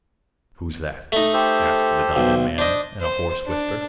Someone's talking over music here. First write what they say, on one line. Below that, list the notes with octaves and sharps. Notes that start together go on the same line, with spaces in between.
"Who's that?" asked the diamond man, in a hoarse whisper.
A3 D#4
G4 A4 C5
B1
D4 C5 D#5
C5
D4